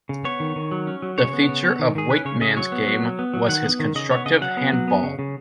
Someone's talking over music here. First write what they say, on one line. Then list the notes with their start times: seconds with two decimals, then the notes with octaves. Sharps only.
The feature of Weightman's game was his constructive handball.
0.09 C#3
0.25 B3 C#5
0.40 D#3
0.56 D#3
0.71 F#3
0.87 C#4
1.02 F#3
1.18 C#3 C#5
1.33 B3
1.49 C#3
1.63 B3
1.79 D#3
1.95 D#3 G#4
2.10 C#4 B4
2.25 C#3 C#5
2.41 C#3 D#5
2.57 F#3 C#5
2.72 B3
2.87 F#3
3.03 F#3
3.19 B3
3.34 F#3
3.49 D#3 F#5
3.64 B3
3.80 D#3
3.95 C#3 D#5
4.11 B3 C#5
4.26 C#3 D#5
4.41 F#3 F#5
4.57 B3
4.72 F#3
4.88 B3
5.03 C#3
5.19 C#3